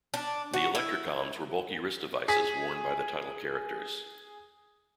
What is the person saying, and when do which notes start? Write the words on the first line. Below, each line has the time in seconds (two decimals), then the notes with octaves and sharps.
The ElectraComs were bulky wrist devices worn by the title characters.
0.14 D4
0.54 F#4
0.75 E4
2.28 G#4 B6